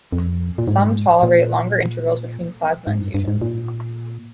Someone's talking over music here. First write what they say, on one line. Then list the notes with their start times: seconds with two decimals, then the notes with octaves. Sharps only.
Some tolerate longer intervals between plasma infusions.
0.12 F2
0.58 A#2
0.68 G#2
1.23 A#2
2.87 G#2
3.00 G2
3.14 G2
3.28 G#2
3.41 A#2